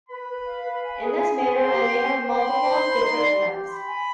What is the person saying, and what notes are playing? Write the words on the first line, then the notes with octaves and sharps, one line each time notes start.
In this manner I may have multiple, different accounts.
B4 B5
B4
F5
B4
G#5
G#4
G#5
G#4
C5 C6
G4
G4
C5
G5 C6
B5
C5
B5
D#4
D5
G4
G4
B5 C6
G#5